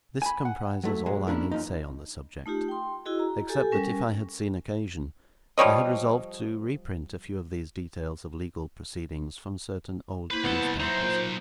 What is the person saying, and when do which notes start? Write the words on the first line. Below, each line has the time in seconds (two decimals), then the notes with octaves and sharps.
This comprises all I need say on the subject; except that if I had seen occasion, I had resolved to reprint a few of these details of legal proceedings, from certain old newspapers.
0.22 G#5 B5
0.45 F#5
0.84 F#3 A3 E4
1.06 B2 F#3 G#3
1.27 A#3 C#4 D4 E4 A#4
1.51 F#2 F3 D#4
2.46 A3 D#4 F4 G4
2.68 G5 C6
3.05 E4 F#4 G#4 D#5
3.19 A#5
3.49 G4 A4 G#5
3.71 G3 C#4 A#4 G#5
5.58 F3 G3 C#5 D#5
10.31 A#3 E4 B4 C5 B5
10.44 C2 B3 A4
10.80 F#3 D#4 E4 C5
11.03 A#2